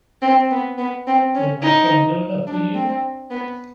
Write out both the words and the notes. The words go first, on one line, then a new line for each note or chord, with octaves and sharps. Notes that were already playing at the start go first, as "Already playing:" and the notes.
Ain't my son good enough for you?
C4
B3
B3
C4
C#4
D#4
D4
C4
B3